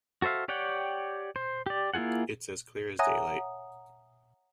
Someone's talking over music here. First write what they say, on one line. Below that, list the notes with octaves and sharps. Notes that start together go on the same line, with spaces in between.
It’s as clear as daylight.
F#4 A4 C5 E5 F5
G4 C#5 D5 F#5 G5
C5
G4 D5
A#3 E4 F4 G#4 F#5
C#5 E5 F#5 G#5 A#5 D#6